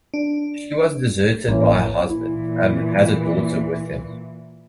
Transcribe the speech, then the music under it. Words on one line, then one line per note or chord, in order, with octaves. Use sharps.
She was deserted by her husband, and has a daughter with him.
D4
A1 E3 A#3 C#4
A#2 E3 E4